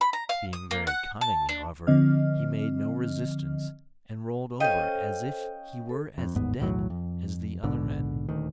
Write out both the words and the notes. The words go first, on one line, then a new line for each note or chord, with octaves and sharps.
Being very cunning, however, he made no resistance, and rolled over as if he were as dead as the other men.
B5
A#5
F5
D#6
A#3
F#5
A5
D4
D3 F3 C4 D#5 F6
C#4 A4 C5 D#5 F5 G5 G6
A4
F2
G1 D#2 G#2 B3
B1 E2 A2 F#3
F2
A#1 G#2 B2 D3
D#1 D2 D#3